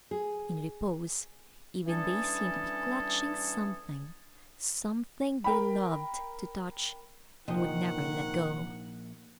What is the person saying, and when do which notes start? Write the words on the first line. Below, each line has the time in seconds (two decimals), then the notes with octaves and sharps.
In repose, even, they seemed to be clutching something, something they loved to touch, and would never let go.
0.11 G#4
1.86 E3 G3 C#4 D4 G#4 A4
5.44 A#4 G5 B5
7.48 A#1 C3 D#3 F3 D#5 F#5